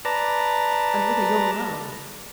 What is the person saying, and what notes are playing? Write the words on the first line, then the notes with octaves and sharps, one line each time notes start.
'And with a young man?'
B4 D5 A5 A#5